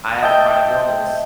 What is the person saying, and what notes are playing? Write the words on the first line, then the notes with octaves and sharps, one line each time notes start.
I have a chronic illness
D#5 E5 G5 A5 G6